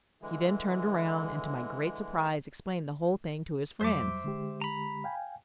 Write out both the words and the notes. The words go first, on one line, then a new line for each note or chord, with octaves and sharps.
He then turned around, and to my great surprise explained the whole thing to his friends.
D3 E3 G#3
F2 F#3 G3 C5 E5 D6
D3 G#3 G4
A#5 B5
F5 G5 G#5